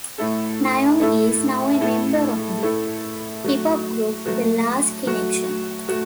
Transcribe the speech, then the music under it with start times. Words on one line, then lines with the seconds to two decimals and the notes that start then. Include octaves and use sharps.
Naomi is now a member of the hip-hop group The Last Kinection.
0.18 A2 A3 E4 A4
1.00 A2 A3 E4 A4
1.81 A2 A3 E4 A4
2.63 A2 A3 E4 A4
3.44 F#3 A3 F#4
4.25 F#3 A3 F#4
5.07 F#3 A3 F#4
5.89 A3 F#4